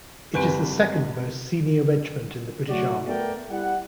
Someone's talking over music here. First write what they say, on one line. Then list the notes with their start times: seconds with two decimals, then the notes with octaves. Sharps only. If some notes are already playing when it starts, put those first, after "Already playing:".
It is the second-most senior regiment in the British Army.
0.34 G1 C4 G4 B4 G#5
2.68 F#3 A3 F#4 D5
3.06 A3 B3 A#4 D5 G5
3.50 G3 E4 F#5